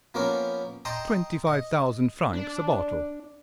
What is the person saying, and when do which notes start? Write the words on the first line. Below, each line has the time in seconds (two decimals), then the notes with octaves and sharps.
"Twenty-five thousand francs a bottle."
0.14 F3 A#3 B3 C#4 A#4
0.85 D#5 G5 A5 A#5 C6 D#6
1.47 D#5
2.33 D4